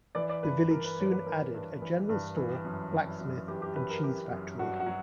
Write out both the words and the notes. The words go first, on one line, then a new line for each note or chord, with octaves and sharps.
The village soon added a general store, blacksmith and cheese factory.
E3 D5
D5
G2 B4
E3 A#4
B4
G2 C#5
B4
E3 A#4
G2
E3
G2
E3
F#2
E3
F#2
E3 G4
G4
F#2 B4
A#4
E3 G4
F#2
G2 F#4
F#4
F#3